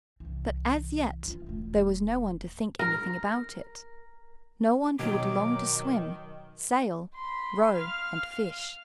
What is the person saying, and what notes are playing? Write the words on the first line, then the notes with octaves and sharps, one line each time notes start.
But as yet there was no one to think anything about it, no one who would long to swim, sail, row, and fish.
C2 E3
E3 F4
E1 A3
A#4
B2 D#3 F#3 F#4 D6
B5 C6
F5 F6